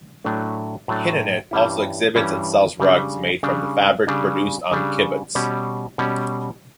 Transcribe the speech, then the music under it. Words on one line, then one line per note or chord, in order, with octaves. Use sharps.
"Hinnanit" also exhibits and sells rugs made from the fabric produced on the kibbutz.
A2 F#3 A3 D4
A2 F#3 A3 D4
G2 E3 G3 C#4 E4
G2 E3 G3 C#4 E4
C#3 G3 D4
C#3 G3 D4
C#3 G3 D4
C#3 G3 D4
B2 G3 C#4
B2 G3 C#4